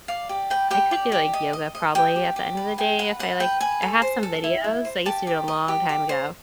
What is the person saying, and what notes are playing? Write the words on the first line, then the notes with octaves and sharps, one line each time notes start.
I could do, like, yoga probably at the end of the day if I like I have some videos. I used to do it a long time ago.
D5 F5
G4
B4 G5
G4 G5
D5
G4
D#5
D#5
D#5
G4 G5
G4
G4
B4
G#4 G5
B4 F#5
B4 F#5
B4 G5
B4 G#5
A4
C5
A4
E4
E4
C5
G4 A5
G4
D#5
G4
G4
C5